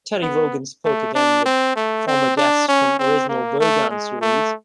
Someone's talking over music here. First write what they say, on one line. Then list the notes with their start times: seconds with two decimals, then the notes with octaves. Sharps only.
Terry Wogan spoke again with former guests from original 'Wogan' series.
0.23 B3
0.85 A3
1.15 D4
1.46 C4
1.76 A3
2.07 C4
2.37 D4
2.68 C#4
2.99 C4
3.29 A#3
3.61 A3
3.90 G#3
4.21 A3